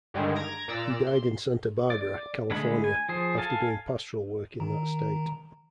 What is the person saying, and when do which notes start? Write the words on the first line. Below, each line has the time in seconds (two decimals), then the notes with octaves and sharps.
He died in Santa Barbara, California after doing pastoral work in that state.
0.14 G2 D3 D#3 G3 G#3
0.35 A#5 G#6 A#6 D7
0.68 A#2 D5 A#5 E6
1.07 C6
1.90 D5
2.50 D3 G#3 A3 G#4 B5
2.84 G#5
3.09 F3 G#4 C5
3.38 A4 F5 G#5 A5
4.60 D#3 A#5